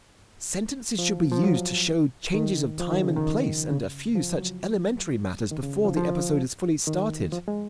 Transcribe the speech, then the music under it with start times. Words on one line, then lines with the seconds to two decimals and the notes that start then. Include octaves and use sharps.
Sentences should be used to show changes of time and place and a few such elementary matters before the episode is fully started.
0.99 F3
1.32 F3
1.44 F#3
2.34 D#3
2.80 F3
2.92 D#3
3.04 C#3
3.16 D#3
3.70 C#3
4.15 F3
4.38 F#3
5.51 D#3
5.63 C#3
5.85 F3
5.97 F3
6.87 D#3
7.32 F3
7.48 G#3